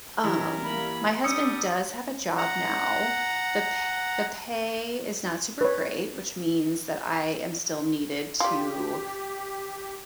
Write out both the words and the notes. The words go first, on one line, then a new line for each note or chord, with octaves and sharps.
Um, my husband does have a job now, the pa the pay is not super great, which means that I am still needed to
F#2 E3 G3 E4 A#4
A#3 B5
G3 D4 D#6 E6 C#7
F#5 A#5
B4 C#5
F4 G4 D5